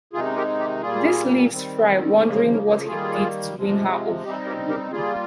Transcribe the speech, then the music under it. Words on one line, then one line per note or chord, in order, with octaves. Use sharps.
This leaves Fry wondering what he did to win her over.
C3 D#3 G#3 D#4 F4 G#4
G4 A#4
G4
A#2 G3 A#3 F4 G#4
D#3 G3 C4
C#3 F3 A#3 G#4 C5
A#4 C#5
A#4 C#5
A#4 C#5
D#3 G3 A#3 F4 G#4
C3 F3 G#3
G3 C4 D#4 G4
G4 A#4
G4 A#4
G3 A#3 F4 G#4